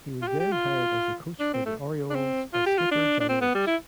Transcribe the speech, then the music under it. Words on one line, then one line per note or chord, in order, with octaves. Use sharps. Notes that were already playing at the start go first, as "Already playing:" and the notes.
He was then hired as a coach for the Orioles by skipper Johnny Oates.
F4
G4
G4
F4
D4
C4
A3
D4
C4
F4
G4
F4
D4
D4
C4
B3
G3
E4